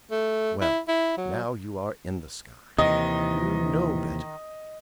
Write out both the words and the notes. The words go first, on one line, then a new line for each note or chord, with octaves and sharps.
Well, now you are in the sky, you know better.
A3
E4
E4
F#3
D#2 C3 D#3 E3 D#5